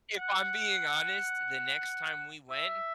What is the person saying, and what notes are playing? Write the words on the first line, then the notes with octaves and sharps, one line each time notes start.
if I'm being honest, the next time we went
F#5
E5